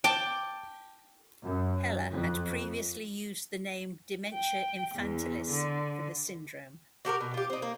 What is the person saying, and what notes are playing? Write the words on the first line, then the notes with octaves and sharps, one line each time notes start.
Heller had previously used the name "dementia infantilis" for the syndrome.
G5 A5 D6
F#2
F2
G5
E2
D3
F#4 G4 A4 A#4
B2
F4 G4
C4 D#4
A#3